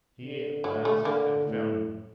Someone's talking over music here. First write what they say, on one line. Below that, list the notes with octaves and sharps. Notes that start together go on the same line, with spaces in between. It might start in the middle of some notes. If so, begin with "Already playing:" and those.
He at last had found him.
D3
F#3
A3
D3 A#3
A2